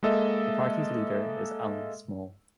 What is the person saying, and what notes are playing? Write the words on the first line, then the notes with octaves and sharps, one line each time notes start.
The party's leader is Allen Small.
G#3 A#3 A4 D#5 E5